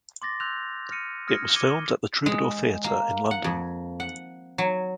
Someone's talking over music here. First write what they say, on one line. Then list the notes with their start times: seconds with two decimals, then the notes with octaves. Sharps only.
It was filmed at the Troubadour Theatre in London.
0.22 C6 D6 A6 A#6
0.40 C6 E6 F#6 G6 F7
0.91 F6 A#6 C#7 D#7
1.27 D#6 F6 G#6 A#6 C#7
1.56 D6 G#6 C#7 D#7 G7
2.26 G#3
2.84 A#3
3.31 F#5
3.44 F2
4.00 F#5
4.58 F#3